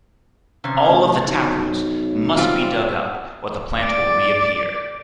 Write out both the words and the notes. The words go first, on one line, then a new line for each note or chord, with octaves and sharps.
All of the taproots must be dug up, or the plant will reappear.
C3 C#4
A1
B1
G3 C4 F4
D5